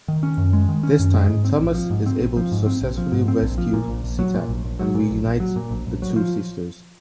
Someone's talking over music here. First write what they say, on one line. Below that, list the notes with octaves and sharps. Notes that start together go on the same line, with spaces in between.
This time Thomas is able to successfully rescue Sita and reunite the two sisters.
D#3
C#4
F#2
G#3
D#3
C#4
F#2
G#3
G#2
C4
A#1
F3
G#2
C4
A#1
F3
G#2
C4
A#1
F3
G#2
C4
A#1
F3
A#2
A#1
A#1
F#3
A#2
A#1
A#1
F#3
A#2
A#1
A#1
F#3
A#2
A#1
A#1
F#3
F3